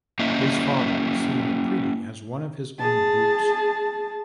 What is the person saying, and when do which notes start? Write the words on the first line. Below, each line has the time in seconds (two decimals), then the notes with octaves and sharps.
His father seeing the pre as one of his own roots.
0.19 A#3 C#4 E4 D#5
2.80 G#4 A5